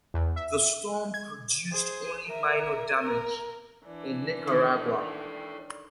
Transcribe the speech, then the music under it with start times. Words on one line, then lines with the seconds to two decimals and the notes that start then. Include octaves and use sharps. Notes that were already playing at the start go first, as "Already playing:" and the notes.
The storm produced only minor damage in Nicaragua.
0.14 E2
0.36 E5
1.14 G#6
1.72 G#4 C5
2.27 A#4 E5
3.02 A#4
3.86 E3 D4 D5
4.47 D#3 A4 C#5